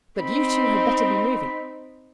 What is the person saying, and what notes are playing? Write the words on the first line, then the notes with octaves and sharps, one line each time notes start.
But you two had better be moving.
C4 D#4 B5